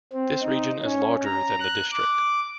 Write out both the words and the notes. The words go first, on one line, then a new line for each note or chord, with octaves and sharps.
This region is larger than the district.
C4
D#4
C#4
A#5
F#6
D6